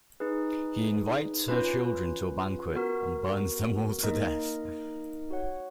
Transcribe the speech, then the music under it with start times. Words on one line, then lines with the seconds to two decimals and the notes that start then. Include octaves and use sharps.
He invites her children to a banquet and burns them all to death.
0.20 D#4 G#4 B4
1.48 C#4 F4 B4
2.75 B3 F#4 A#4
4.03 A#3 D#4 A#4 D#5
5.31 F#4 C#5 F#5